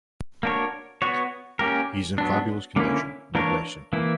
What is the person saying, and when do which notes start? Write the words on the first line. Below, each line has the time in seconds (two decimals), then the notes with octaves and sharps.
He's in fabulous condition, no question.
0.43 A#3 D4 F#4 A#4 C#5
1.02 B3 F#4 C#5
1.59 A#3 C#4 G4 A#4
2.18 F#3 B3 D4
2.76 D3 A#3 C#4 E4
3.35 E3 A#3 D4 A#4 C#5
3.93 E3 A#3 E4